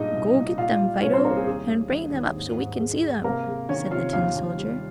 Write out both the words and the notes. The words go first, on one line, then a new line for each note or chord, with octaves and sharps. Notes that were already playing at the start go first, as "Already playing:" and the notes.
"Go get them, Fido, and bring them up so we can see them!" said the tin soldier.
Already playing: G2 A#2 G#3 D#4 D#5
C2
A#2
A#2 F4 F5
G3
C2 C#4 C#5
C4 C5
C2 A#3 A#4
G#4
D#2 G#4
D#2
D#3
D#2
G#2
G#2
G#3
G#3
C3 A#3 A#4
G#3
D#3 C#4 C#5
C3 F4 F5
D#2 F4 F5
D#2
G3